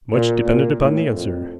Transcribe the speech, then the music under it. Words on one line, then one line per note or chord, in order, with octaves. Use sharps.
Much depended upon the answer.
A#2
A#2
A2
F2